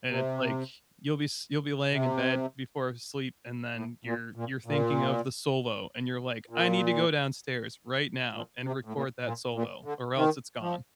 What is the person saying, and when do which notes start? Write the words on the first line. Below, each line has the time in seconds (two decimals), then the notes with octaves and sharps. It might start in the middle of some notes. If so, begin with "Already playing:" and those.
And it's like, you'll be s you'll be laying in bed before sleep, and then you're you're thinking of the solo and you're like, "I need to go downstairs right now and record that solo or else it's gone."
0.08 C3
1.91 C3
3.75 A2
4.05 A#2
4.36 A#2
4.66 A#2
6.49 A#2
8.33 A#2
8.63 C3
8.85 A2
8.94 A#2
9.24 A#2
9.54 A#2
9.85 D3
10.16 D#3
10.62 F3